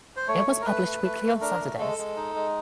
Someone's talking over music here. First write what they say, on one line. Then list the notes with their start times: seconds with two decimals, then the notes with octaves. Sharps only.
It was published weekly on Saturdays.
0.17 C5
0.28 A3 C#5
0.47 A3
0.62 A#4
0.66 A3 B4
0.85 A3
1.04 A3
1.23 A3
1.41 D4 A#4
1.60 A3
1.79 G#3 A4
1.98 G#3
2.16 D#4
2.35 G#3